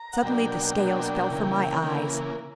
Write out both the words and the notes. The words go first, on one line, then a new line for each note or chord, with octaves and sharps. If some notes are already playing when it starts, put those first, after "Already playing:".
Suddenly the scales fell from my eyes.
Already playing: A#5
F#5
B2 F#3 A#3 D4 G5
B2 F#3 A#3 D4
C#3 E3 A#3
C#3 E3 A#3 G5
B4